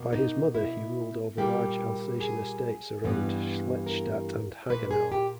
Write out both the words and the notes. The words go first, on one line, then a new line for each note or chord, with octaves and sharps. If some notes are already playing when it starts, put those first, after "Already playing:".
By his mother he ruled over large Alsatian estates around Schlettstadt and Hagenau.
Already playing: B2 A#3
D#4
E4
A#2 G3 A#3 G4
G#4
G2 E3 G3 B3
A#4
A#2 A#3 B4
G#4
G4